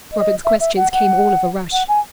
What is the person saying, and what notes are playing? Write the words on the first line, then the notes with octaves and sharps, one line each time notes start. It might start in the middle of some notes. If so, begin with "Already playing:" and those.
Robin's questions came all of a rush.
D#5
E5
E5
F#5
F#5
F#5
G#5